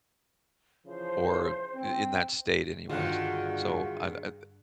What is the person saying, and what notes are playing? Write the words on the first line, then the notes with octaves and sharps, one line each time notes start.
or i in that state anyways. So I I
C#3 E3 F3 C5
C4
G2 D3 D#3 F4 F#4 G#4 F5 F#6